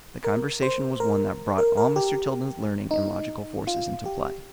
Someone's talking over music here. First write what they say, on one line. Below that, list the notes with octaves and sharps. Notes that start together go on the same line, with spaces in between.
The conversation was one that brought all Mr. Tilden's learning and logical forces into play.
A#4
C5
A#4
A#4
A#4
G4
D#4
F4
G4